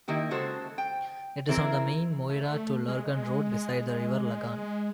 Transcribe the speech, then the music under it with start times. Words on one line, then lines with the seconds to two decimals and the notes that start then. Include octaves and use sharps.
It is on the main Moira to Lurgan road, beside the River Lagan.
0.08 D#3 A#3 E4 G4
0.31 C#3 G#3 F#4 A4 C5
0.78 G5
1.49 E3 C4 E4 G#4 A#4
2.30 A3
2.88 G#3